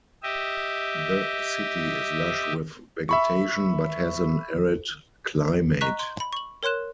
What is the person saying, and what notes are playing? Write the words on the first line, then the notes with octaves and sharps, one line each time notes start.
The city is lush with vegetation, but has an arid climate.
G4 D#5 E5
E5 B5 C#6
D#5 A#5 C#6 F#6 B6
C6
B5
C#6 F#7
A#4 C#5 C6 F#6 E7